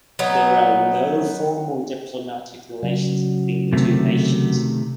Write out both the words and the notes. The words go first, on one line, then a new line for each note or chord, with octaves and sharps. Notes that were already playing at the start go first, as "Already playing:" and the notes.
There are no formal diplomatic relations between the two nations.
F#3 B3 D#4
C#3 F#3
C3 D#3 A3